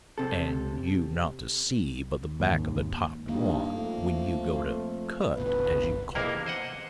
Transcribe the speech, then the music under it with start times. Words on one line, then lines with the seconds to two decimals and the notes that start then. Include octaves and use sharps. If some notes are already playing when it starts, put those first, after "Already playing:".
"And you not to see but the back of the top one, when you go to 'cut,' as you call it?"
0.18 C3 A4
2.40 G#1 D#2
3.29 G2 A#3 D#4
3.76 F2 F3 A3
5.37 G1 C2 B3 B4
6.15 F2 C3 A#3 E4 G#4 A#4
6.46 C5 D#5 F#5